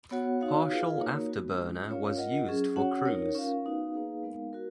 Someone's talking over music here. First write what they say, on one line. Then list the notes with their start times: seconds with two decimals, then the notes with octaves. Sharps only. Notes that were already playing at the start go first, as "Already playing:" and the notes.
Partial afterburner was used for cruise.
0.11 B3 F#4 C#5 F#5
0.41 D#4 F#4 C#5 F5
0.70 F4 G#4 B4 F5
1.00 A#3 D#4 F#4 A#4 C#5
1.29 G#3 B3 F#4
1.59 G#3 C#4 F4
1.89 C#4 F4 A#4 C#5 F5
2.17 F4 A#4 D#5 F#5
2.47 F#3 C#4 G#4
2.76 C#4 F#4 C#5 F#5
3.05 D#4 A#4 C#5
3.35 C#4 F4 A#4 F5
3.65 B3 D#4 F#4 B4 F5
3.94 A#3 D#4 G#4 B4 F5
4.23 G#3 B3 D#4 A#4 F5
4.53 F#4 A#4